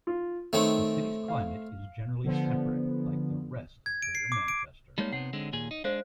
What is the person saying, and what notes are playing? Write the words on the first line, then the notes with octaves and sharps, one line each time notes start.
The city's climate is generally temperate, like the rest of Greater Manchester.
F4
D#3 A3 C4 C#5
F5
D3 F3 B3
G#6
D7
C7
D6
D7
G3 G#3 A#3 D#4 C#5
C3 B3 F#5
D3 G#3 C4
D#2 A#2 G#4
D#4
G#3 D4 C5 F5